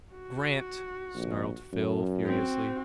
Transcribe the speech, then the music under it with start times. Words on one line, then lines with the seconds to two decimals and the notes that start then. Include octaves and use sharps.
"Grant!" snarled Phil furiously.
0.13 F#4
1.15 A#1
1.72 F#2
2.26 C4 F#4